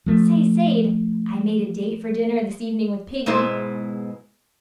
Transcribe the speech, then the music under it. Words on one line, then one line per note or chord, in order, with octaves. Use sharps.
"Say, Sade, I made a date for dinner this evening with Piggy."
F3 A3
G#2 B2 G#3 B3 E4 C5